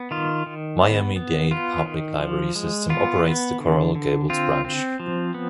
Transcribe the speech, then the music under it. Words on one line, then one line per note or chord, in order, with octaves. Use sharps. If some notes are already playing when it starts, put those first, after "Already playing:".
Miami-Dade Public Library System operates the Coral Gables Branch.
Already playing: B3
D#3 F4
D#3
B3
B3
B3 F4
D#3
F3
G#3
B3 F4
B3
D3
D3
C4 F4
C4
F3
B3